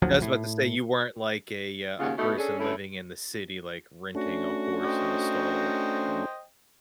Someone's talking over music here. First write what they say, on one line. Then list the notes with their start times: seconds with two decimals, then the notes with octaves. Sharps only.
I was about to say, you weren't like a, uh, a person living in the city, like, renting a horse in a stall, or something.
0.02 G#1 D2 F3 F#3
0.22 A2
2.00 D#2 C#3 F4 F#5
2.17 B2 A3 B3 D#4
2.38 C#4 D4 G#4 A4
2.59 D3 A3 C#4 E4
4.15 A3 C#4 D4 F#4
4.84 C5 D#5 G5